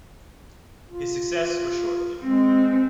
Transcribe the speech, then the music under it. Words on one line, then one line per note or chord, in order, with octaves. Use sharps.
His success was short-lived.
F4
G#3 C4